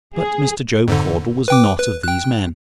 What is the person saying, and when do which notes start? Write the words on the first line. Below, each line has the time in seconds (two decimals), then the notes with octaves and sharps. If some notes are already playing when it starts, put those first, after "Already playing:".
But Mr. Job Caudle was not of these men.
0.16 G#4
0.88 F2 G#2 D3
1.48 B4 G5 D6
1.79 B4
2.03 G5 F#6